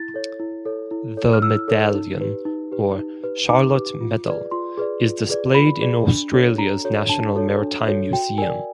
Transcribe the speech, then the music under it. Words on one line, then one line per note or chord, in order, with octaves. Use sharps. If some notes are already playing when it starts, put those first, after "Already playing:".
The medallion, or "Charlotte Medal", is displayed in Australia's National Maritime Museum.
Already playing: E4 A6
A4 C#5
E4
A4 C#5
E4
A4 C#5
F6
E4 E6
A4 C#5
D#4
G4 B4
D#4
G4 B4
D#4
G4 B4
D#4 D6
G4 B4
F4
G#4 B4 D5
F4 C6
G#4 B4 D5
F4
G#4 B4 D5
F4 B5
G#4 B4 D5
D4
F#4 A4 C#5
D4 A#5
F#4 A4 C#5
D4 A5
F#4 A4 C#5
D4
F#4 A4 C#5
F#4 G5
A#4 D5 G#5